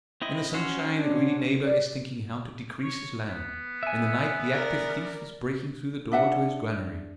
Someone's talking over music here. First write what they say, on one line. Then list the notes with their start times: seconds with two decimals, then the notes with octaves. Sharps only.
In the sunshine a greedy neighbor is thinking how to decrease his land, in the night the active thief is breaking through the door to his granary.
0.22 C4 E4 D#5
0.54 C#4 F#4 C5
0.94 D4
1.63 D5
2.83 C#5
3.29 B3
3.83 E5 G#5
4.53 A#4 D5
6.11 D4 E5 F#5